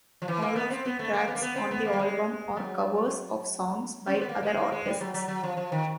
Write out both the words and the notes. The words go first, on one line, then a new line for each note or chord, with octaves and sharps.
All of the tracks on the album are covers of songs by other artists.
F3
E3
A#3
B3
C4
B3
A3
A#3
B3
A#3
B3
C4
B3
A#3
G3
G#3
F#3
C#4
C4
B3
A#3
G#3
A#3
G#3
G3
F#3
F#3
F#3
F3
F3
D#3